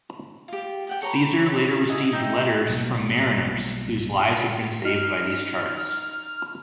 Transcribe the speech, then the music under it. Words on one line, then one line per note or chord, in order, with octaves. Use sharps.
Caesar later received letters from mariners whose lives had been saved by these charts.
F4 G4
G4 F#5 G5
A4 C#5 A#5 B5
D#5 E5 F#5 G#5
D#4 E5 G5
B1 B2 G3 A#3
D#4 F6